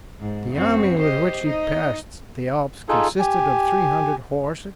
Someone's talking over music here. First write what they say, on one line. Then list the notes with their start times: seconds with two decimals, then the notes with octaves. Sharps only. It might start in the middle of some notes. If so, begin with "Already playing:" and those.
The army with which he passed the Alps consisted of three hundred horse.
0.20 G#2
0.54 F#2 C4 F#4
0.98 G4 C5 D#5
1.44 D#4 D#5
2.89 D#4 F4 G#4 A4
3.19 G4 G#5